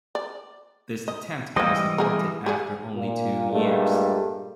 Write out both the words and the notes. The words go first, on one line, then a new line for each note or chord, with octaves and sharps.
This attempt was aborted after only two years.
D5
D#5
E3 G3 A#3 C4 C5 D#5
A3 G#4 A#4
G4 G#4 D5
A#2
G2 A#2 G#3 A3